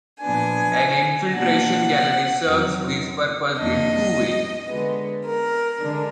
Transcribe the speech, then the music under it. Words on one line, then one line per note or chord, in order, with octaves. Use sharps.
An infiltration gallery serves this purpose in two ways.
A#2 F3 B3 D4 G#5
B2 A#3 D4 F#5
F2 D#3 F#3
F2 D#3 A#3 D4 D#5
D3 G#3 B3
A#4
D3 G#3 D4